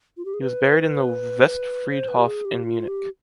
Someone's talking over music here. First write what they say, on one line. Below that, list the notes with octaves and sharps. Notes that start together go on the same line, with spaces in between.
He was buried in the Westfriedhof in Munich.
F4
G4
G#4
B4
C5
B4
G4
G#4
G4
F4
G4